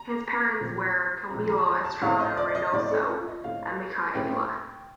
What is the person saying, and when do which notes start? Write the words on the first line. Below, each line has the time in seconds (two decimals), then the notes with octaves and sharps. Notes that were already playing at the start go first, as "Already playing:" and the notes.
His parents were Camilo Estrada Reynoso and Micaela.
Already playing: A#5
0.60 A#2 F3 C4
1.30 A#2 F3 C4 A#5
1.49 A#5
1.58 A5
1.67 A#5
1.85 A5
2.02 A2 A3 C4 F5
2.20 D#5
2.37 D5
2.55 D#5
2.73 A2 A3 C4 D5
2.91 A4
3.08 F4
3.27 D#5
3.44 A2 A3 C4 F5
4.15 A2 A3 C4 G5